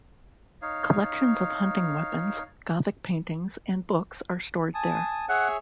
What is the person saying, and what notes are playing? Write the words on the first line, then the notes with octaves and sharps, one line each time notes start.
Collections of hunting weapons, Gothic paintings and books are stored there.
D#4 C#5 F5
G#5 A5 D#6
G#4 C#5 E5 F#5